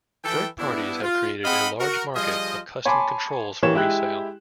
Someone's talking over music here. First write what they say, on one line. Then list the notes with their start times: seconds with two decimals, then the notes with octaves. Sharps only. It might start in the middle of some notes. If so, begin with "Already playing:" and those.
Third parties have created a large market of custom controls for resale.
0.24 E3 A4 G5
0.58 G2 B3 D4 E4
1.02 F4
1.44 C4 G#4 D#5 F5 F#5 B5
1.80 F#4 A#4
2.15 F3 G3 F4 G#4 D#5
2.85 C#5 G#5 A5 B5 C6 D6
3.63 E3 A#3 G4 C#5 E7
3.74 G#3 E4 G4 G5 F#6